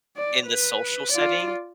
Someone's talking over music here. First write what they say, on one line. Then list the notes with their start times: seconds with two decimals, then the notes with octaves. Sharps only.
in the social setting?
0.16 D5
0.47 B4
1.11 F4 D5